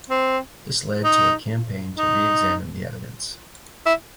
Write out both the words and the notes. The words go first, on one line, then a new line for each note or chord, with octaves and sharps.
This led to a campaign to re-examine the evidence.
C4
D#4
D#4
E4